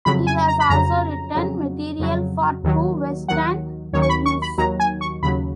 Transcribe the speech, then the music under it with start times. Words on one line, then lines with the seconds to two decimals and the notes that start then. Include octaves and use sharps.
He has also written material for two West End revues.
0.05 F2 C#3 F#3 B5
0.27 G#5
0.48 A#5
0.60 B5
0.70 F2 C#3 F#3 A#5
1.35 F2 C#3 F#3
1.99 F2 C#3 F#3
2.64 D#2 D#3 F#3
3.28 D#2 D#3 F#3 F#5
3.93 D#2 D#3 F#3 C#5
4.02 C#6
4.09 B5
4.26 C#6
4.42 B5
4.58 D#2 D#3 F#3 A#5
4.80 G#5
5.01 C#6
5.23 D#2 C#3 F#3 B5